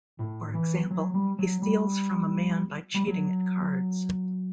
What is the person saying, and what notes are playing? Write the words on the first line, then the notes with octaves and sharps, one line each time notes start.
For example, he steals from a man by cheating at cards.
A2
E3
F#3
G3
F#3
G3
G3
F#3